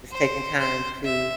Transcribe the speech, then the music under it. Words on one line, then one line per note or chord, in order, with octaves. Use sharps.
just taking time to,
C5
C5
E5